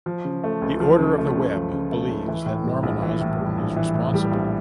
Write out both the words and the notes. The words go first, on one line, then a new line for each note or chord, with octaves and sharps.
The Order of the Web believes that Norman Osborn is responsible.
F3
C#3
A3
C#2
F3
C#3
A3
C#2
F3
C#3
A3
C#2
E3
A2
G3
A#1
E3
A2
G3
A#1
E3
A2
G3
A#1